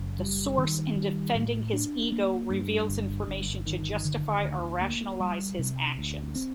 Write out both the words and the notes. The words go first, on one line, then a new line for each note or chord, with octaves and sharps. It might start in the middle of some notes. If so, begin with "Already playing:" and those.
The source, in defending his ego, reveals information to justify or rationalize his actions.
Already playing: F#1 F#2
G3
D#3
G3
A2
D4
A#3
G2
G1
G1
D#3
D3
D2
A#3
G3
C3
D2
C4